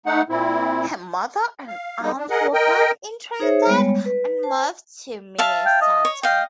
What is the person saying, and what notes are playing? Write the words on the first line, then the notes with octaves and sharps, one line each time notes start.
Her mother and aunt were born in Trinidad and moved to Minnesota.
A3 D#4 F#5
A#2 C4 E4
F5
G3 G#3 A#3 D#4
D4
G#4 A#4 D#5 F#5
A#4 D#5 G5
D#4 G#4 C5 C#5 E5
G3 G#3 B3 C#5
B4
C5 A5
E5 F5 A5
G5
D#5
C#5
D#5 F5 G5